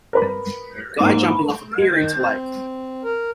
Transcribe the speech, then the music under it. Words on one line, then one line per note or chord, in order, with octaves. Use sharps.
Guy jumping off a pier into lake.
A#4 B4 B5
G#2 A#3
G#3
D#3
C4
A#4